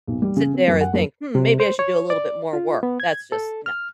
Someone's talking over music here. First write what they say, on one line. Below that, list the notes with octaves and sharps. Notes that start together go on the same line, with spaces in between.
sit there and think, "Hmm, maybe I should do a little bit more work." That's just No.
B1
G3
C#3
C4
F#2
F#5
F#2
C3
C5
C#5
D5
F4
B3
G#6
A4
F6